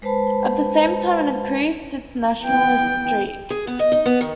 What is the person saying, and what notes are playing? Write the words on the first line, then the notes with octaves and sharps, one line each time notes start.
At the same time, it increased its nationalist streak.
G#3 B4 C5 A5 B5
B3 G5
G#4
B3
D#5
D#4
B3
D#3